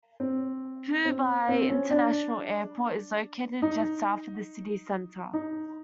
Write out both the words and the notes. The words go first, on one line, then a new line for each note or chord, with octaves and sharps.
Phu Bai International Airport is located just south of the city centre.
C4
C4
C4
C#4
D4
D#4
D#4